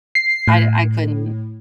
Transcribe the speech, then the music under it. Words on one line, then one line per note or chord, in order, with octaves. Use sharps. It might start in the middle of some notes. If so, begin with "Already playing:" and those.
I I couldn't.
C7
A2